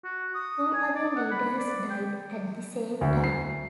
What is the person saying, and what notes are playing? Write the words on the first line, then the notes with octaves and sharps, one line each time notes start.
Two other leaders died at the same time.
F#4
D#6
G#5
D5
F#5
B5
D5
G5
D2
C7